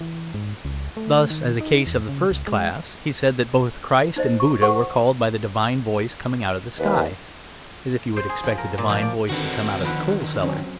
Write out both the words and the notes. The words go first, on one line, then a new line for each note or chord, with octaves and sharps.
Thus, as a case of the first class, he said that both Christ and Buddha were called by the divine voice coming out of the sky, as if you would expect the divine voice to come out of the coal-cellar.
E3
G#2
C#2
A3
D#3
D#4
E2
C#3
C#2
G#3
D#4 C5 D#5
C#6
G4 A#4 C5 F#5 C#6
D#2 B4
C5
G#4
F3
A#4
A#2
F3
D5
D3 D#3 C4 F#4 B4
D3 D#3 F3 B3 B4
F#3 C4 C#4